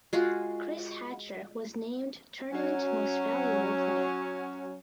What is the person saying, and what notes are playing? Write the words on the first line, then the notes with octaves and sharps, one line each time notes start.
Chris Hatcher was named Tournament Most Valuable Player.
G#3 F4 F#4 G#4
F#3 C#4